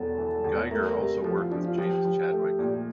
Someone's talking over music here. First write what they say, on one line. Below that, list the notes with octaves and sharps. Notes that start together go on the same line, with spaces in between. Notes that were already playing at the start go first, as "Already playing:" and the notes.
Geiger also worked with James Chadwick.
Already playing: E1 E2 A4
E3
E2
A3 A#4
C3
F3 A4
F4
F3 D4
F4
F3 G4
F3
A3
A#2